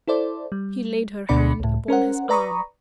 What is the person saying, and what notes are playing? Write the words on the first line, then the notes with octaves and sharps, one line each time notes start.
She laid her hand upon his arm.
E4 A4 C5 D5
G3
D2 B2 D4 D5 B5 C#7
C#2 A2
C#4 A#4 C5 F#5
B4 D5 A#5 B5 C#6 D#6